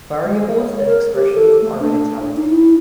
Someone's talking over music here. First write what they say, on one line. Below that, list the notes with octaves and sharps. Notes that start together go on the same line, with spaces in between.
Variables and expressions are in "italic".
G#3
C#5
A#4
G4
A4
A3
D4
D#4
E4